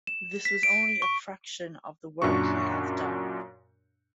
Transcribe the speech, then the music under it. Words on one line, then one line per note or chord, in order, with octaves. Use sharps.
This was only a fraction of the work he has done.
E7
B6
D7
C#6
F#2 A#2 D4 F#4 C#6